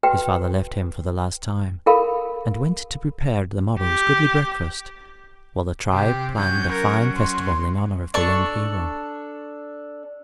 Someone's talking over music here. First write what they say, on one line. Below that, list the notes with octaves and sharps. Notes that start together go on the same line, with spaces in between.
His father left him for the last time, and went to prepare the morrow's goodly breakfast, while the tribe planned a fine festival in honor of the young hero.
F#4 B4 G5
E4 A4 A#4 F5 B5
G4
C3 G4
F#3 C#4 G6
A#4
C6
D4 A4 C#6